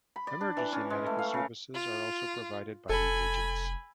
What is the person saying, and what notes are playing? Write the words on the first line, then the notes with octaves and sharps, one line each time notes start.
Emergency Medical Services are also provided by the Agents.
B5
D5
D4
E3
C#4
G#3
A3
F5
C#3
F4
F1 A4 G#5 B5